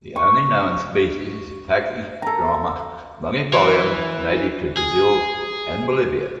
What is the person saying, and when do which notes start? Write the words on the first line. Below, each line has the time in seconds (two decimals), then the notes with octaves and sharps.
The only known species is Pachystroma longifolium, native to Brazil and Bolivia.
0.16 C#6
2.22 A4 A#5
3.52 E3
4.77 G#4